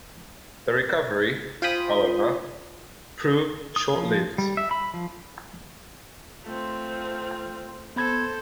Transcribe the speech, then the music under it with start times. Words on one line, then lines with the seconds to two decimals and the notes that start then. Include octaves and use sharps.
The recovery, however, proved short-lived.
1.62 F4 C5 G5 G#5 B5 D#6
3.76 D#6
3.96 F3
4.38 G3
4.57 E5
4.71 B5
4.94 F3
6.43 A3 C4 F4
7.96 B3 A4 C5 B5 G#6